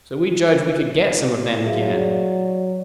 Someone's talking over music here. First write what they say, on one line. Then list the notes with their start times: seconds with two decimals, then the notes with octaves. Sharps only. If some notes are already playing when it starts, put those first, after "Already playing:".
So we judged we could get some of them again.
1.65 F#3 G#4 E5 F5
1.98 D5